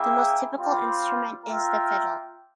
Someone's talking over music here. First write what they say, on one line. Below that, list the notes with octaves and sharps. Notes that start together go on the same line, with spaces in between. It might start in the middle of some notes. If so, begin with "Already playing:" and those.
The most typical instrument is the fiddle.
Already playing: A#3 E4 G#4 E5 G5
G3 C4 F4
A#3 F4 A#4 E5 G5